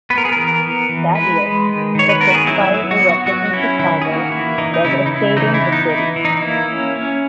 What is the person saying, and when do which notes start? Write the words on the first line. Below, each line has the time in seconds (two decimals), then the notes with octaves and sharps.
That year, the Great Fire erupted in Chicago, devastating the city.
0.10 B3 B4
0.18 A#4
0.25 G#4
0.32 E3 A#4
0.63 B3
0.89 E3
1.15 G#3 B4
1.42 G#3
1.69 D#3
1.95 D#3 C#5
2.09 B4
2.21 B3 A#4
2.30 F#4
2.35 G#4
2.47 F#3 E4
2.61 E4
2.74 F#3
2.91 F#4
3.00 B3
3.09 F#4
3.26 F#3 F#4
3.46 F#4
3.53 C#4 E4
3.79 D#3 E4
4.02 G#4
4.05 A#3 F#4
4.31 E3 E4
4.58 E3 D#4
4.74 D#4
4.84 C#3 E4
5.06 D#4
5.11 C#3 E4
5.37 E3 D#4
5.54 E4
5.64 B3
5.72 D#4
5.89 E3 E4
6.16 E3
6.25 D#4
6.42 A#3 E4
6.68 C#4
6.96 C#4